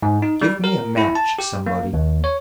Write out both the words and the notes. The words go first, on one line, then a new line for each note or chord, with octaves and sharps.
Give me a match somebody....
G#2
D#4
G3
A#4
E4
A5
G4
A#3
D#2
C#5